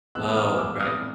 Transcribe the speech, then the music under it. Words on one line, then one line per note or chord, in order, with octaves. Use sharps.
Oh, right.
A2 E3 G#3 B3 E6 F#6
D#6 F6
D6 E6
D#6 F6